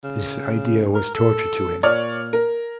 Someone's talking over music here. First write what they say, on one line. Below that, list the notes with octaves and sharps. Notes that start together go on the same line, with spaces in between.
This idea was torture to him.
C#3
A#4
A4
A#2 C#5 D5 F6
A#4